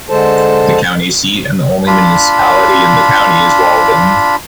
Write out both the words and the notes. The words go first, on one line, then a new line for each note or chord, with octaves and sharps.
The county seat and only municipality in the county is Walden.
D3 G#3 A4 C5 A5
D4 F4 B5